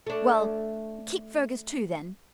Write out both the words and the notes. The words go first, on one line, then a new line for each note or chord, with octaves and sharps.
"Well, keep Fergus too, then."
A3 D4